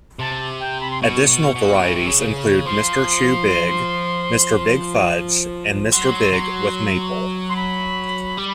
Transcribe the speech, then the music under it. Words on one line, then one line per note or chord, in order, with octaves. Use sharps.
Additional varieties include Mr. Chew Big, Mr. Big Fudge, and Mr. Big with Maple.
C3 A5
G5
B5
C6
B2 C#6
B2
B2
C#3
C3
C#3
F3 C6
F#3 C6
F#3
C6
B5
G3